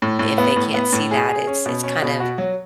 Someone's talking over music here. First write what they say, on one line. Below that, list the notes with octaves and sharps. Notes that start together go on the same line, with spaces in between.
if they can't see that, it's it's kind of
A2
A2
B3
A2
B3
A2
G#4
G#4
C#4
B2
C#4
B2
F#4
F#3